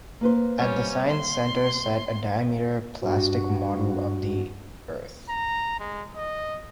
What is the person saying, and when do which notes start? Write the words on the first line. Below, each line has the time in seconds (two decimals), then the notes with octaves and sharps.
At the sign's center sat a diameter plastic model of the Earth.
0.21 A#3 B4 C5
0.57 G3 C#4
1.08 C6
3.02 G2 F#4
5.29 A#5
5.80 G#3
6.16 D#5